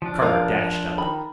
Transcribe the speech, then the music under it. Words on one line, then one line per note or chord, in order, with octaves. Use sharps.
Carter dashed up.
F3 D4
A#4 F5
D#3 B5